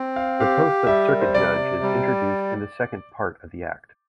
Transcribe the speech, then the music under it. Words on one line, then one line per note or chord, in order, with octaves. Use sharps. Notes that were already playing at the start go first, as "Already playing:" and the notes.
The post of circuit judge is introduced in the second part of the Act.
Already playing: C4
F5
G4 F5
G3 E5
A#4
C5
C3 D5
G3